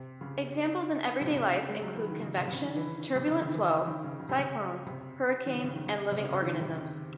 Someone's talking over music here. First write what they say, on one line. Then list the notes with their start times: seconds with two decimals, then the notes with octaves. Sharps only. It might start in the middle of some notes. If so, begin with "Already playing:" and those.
Examples in everyday life include convection, turbulent flow, cyclones, hurricanes and living organisms.
Already playing: C3
0.21 C#3
1.21 C3
1.29 C#3
1.36 C3
1.54 C#3
1.69 G#3
1.82 F#3
1.95 E3
2.08 D#3
2.20 C#3
2.37 C3
2.48 C3
2.54 C#3
2.64 D#3
2.76 E3
3.15 C3
3.27 C#3
3.41 D#3
3.54 E3
3.78 E3
3.87 D#3
4.04 C#3
4.20 C#3
4.29 C3
4.39 C#3
4.86 C3
5.46 D#3
5.53 C#3
5.64 C#3
5.76 D#3
5.87 C#3
6.12 C3
6.19 C#3
6.31 C#3
6.42 D#3
6.53 D#3
6.61 C3
6.70 C#3
6.78 D#3